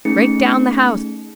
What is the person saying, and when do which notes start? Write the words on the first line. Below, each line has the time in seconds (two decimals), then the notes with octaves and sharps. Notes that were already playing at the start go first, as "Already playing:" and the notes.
Break down the house.
0.05 A3 C#4 D#4 G#4 C#7